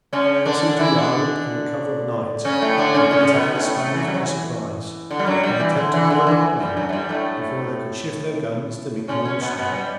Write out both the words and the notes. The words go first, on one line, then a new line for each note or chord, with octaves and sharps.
Crossing to the island under cover of night, they would take the Spaniards by surprise and attempt to overpower them before they could shift their guns to meet the onslaught.
C#3 C#4
D3 D4
D3 D4
E3 E4
D3 D4
C#3 C#4
A2 A3
D3 D4
C#3 C#4
C#3 C#4
B2 B3
A2 A3
A2 A3
E3
F#2 F#3
G3
F#3
E3
D3
G3
F#2 F#3
G2 G3
E3
D3
E3
D3
E3
G2 G3
F#2 F#3
A3
G2 G3
A2 A3
C#3 C#4
C#3 C#4
B2 B3
B2 B3
F#3
G3